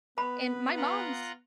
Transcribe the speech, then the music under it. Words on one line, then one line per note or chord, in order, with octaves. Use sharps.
And my mom's
B3 B4 B5
F4 F#5 A#5